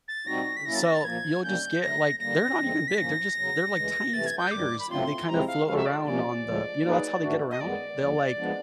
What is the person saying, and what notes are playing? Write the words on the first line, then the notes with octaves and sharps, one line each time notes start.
Uh, so you'll just get, like they're not even big, they're just they're, like, tiny spiders and they kinda float around on the, you know, that's how they get around, they'll, like
A6
A#2 G3 C4 D#4 F#4 A#6
B6
F#3 A#3 C#4 E4 A#6
A6
A#6
A6
A#2 F3 A#3 G#6
C3 D#3 G3 A#3 C#4 G6
D3 F#3 A3 A#6
G2 D3 G3 A#3 A#6
F#2 D3 F3 G#3 C4
B6
G#2 F3 A#3 C#4 A#6
E2 C#3 F#3
D2 C#3 E3 G#3
C3 E3 A3 A6
G#6
G6
F#2 D#3 G3 D6
B5
A2 F#3 A3 C4 F4 C6
C3 F3 G#3 C4 E4 A#5
F5
F3 G#3 C#4 F#4 A4 F5
E5
D5
C3 F3 A#3 C#4 D5
D2 C#3 F3 G#3
F#3 A#3 D#4 G#4 B4
G#2 E3 A3 D4 F#4
D#5
F#2 D#3 G#3 B3 D5
D#2 C#3 F3
F3 G#3 B3 D4